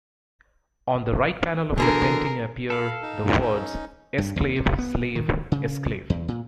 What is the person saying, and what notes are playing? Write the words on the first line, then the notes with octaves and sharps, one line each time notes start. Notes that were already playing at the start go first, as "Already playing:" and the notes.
On the right panel of the painting appear the words "Esclave, Slave, Esclave".
B2 D3 E3 G#4 A#4
A4 F5 B5
D#4
C#4 D#4
G2
D#2
C3
B3
D#3
C#3
E2
A#2